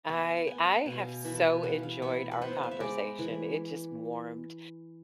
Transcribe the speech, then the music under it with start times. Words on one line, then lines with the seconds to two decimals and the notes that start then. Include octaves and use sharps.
I I have so enjoyed our conversation. It just warmed
0.09 B3 B5
0.23 G#5
0.29 A5
0.47 B3 G#5
0.65 G#5
0.73 F5
0.86 B2 G#5
1.00 F5
1.25 E3 E5
1.35 A5
1.45 G#5
1.63 B3 F5
1.83 F5
2.02 B3 E5
2.31 B4
2.41 B3 C5
2.63 F5
2.71 E5
2.80 G#3 D5
3.19 E3